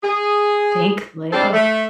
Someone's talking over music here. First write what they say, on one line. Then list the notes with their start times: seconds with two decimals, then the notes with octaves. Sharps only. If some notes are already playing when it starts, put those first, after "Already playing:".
Thankfully, ugh.
0.03 G#4
1.33 G3 C4 D4 A4 C5 D5
1.53 A3 E5